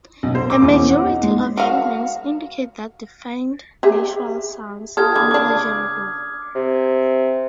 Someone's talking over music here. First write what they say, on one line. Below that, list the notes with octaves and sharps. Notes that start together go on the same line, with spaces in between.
A majority of humans indicate that they find natural sounds pleasurable.
B1
C5
D6
E2
C#4
F#5
D#4
G#3
F#4 F5
G4 G#4 E5
F4 G4 A4 D#6 F6 G#6
D3 E3 A#3 D6 G#6
C#3 D4 D6
C3